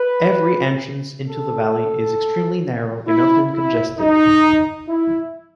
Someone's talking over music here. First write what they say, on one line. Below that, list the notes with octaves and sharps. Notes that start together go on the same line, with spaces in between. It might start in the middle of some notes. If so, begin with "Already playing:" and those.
Every entrance into the valley is extremely narrow and often congested.
Already playing: B4
A4
E4
E4
D#4
E4